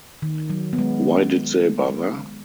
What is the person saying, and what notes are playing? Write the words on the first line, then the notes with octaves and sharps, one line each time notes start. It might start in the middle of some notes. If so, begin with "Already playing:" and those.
Why did they bother?
D#3
F#3
B3
G#3
G#3